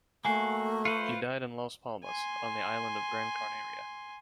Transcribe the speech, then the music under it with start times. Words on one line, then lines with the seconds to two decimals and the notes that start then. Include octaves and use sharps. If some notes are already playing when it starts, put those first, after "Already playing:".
He died in Las Palmas, on the island of Gran Canaria.
0.25 A3 A#3 F#4 G#5 C7
0.85 F4 B4 C5 C#7 D#7
2.04 G#5 C6